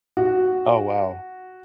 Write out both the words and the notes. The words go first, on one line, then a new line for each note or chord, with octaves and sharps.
Oh, wow.
F#4